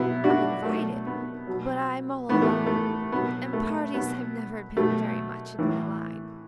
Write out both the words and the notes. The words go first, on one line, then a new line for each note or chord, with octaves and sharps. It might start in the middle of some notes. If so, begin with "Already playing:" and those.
"I'm invited--but I'm all alone--and parties have never been very much in my line."
Already playing: B2 F#3 B3 E4
D4 F#4
B2 F#3 A3
B3
B2 F#3
A2 E3 B3
A3
A3
B2 F#3 B3
A3
B2 F#3 B3
B2 F#3 A3
A2 E3